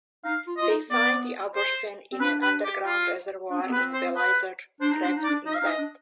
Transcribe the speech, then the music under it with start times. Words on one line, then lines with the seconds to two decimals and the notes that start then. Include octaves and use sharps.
They find the Abhorsen in an underground reservoir in Belisaere, trapped in Death.
0.25 D#4 F5
0.47 F4
0.58 F4 D#5
0.69 D#4
0.90 B3 D5
1.56 C5
2.13 C4
2.20 D4 B4
2.42 B4
2.64 G4
2.86 F4
3.50 D4
3.59 C4
3.68 B3 B4
3.77 C4
3.93 C5
4.16 B4
4.81 D4 C5
4.92 D#4
5.02 D4 C5
5.16 D#4
5.24 D5
5.28 D4
5.46 D#4 D#5
5.56 F5
5.62 D#4
5.66 D#5
5.78 D4